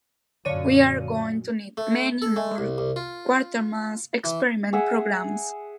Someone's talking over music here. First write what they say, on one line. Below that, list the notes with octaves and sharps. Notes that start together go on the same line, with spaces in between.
We are going to need "many" more 'Quatermass Experiment' programmes.
F#2 A#2 D3 C#5 D5 F5 D#7
A3
A4
A3
C2
C2
F4
E3
G#4 E5 F#5 G#5